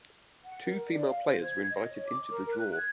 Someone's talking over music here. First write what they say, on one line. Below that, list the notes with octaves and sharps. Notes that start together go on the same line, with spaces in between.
Two female players were invited into the draw.
F#5
A#4
D5
F5
C5
G#6
D#5
C#5
D6
A#4
F#6
G#6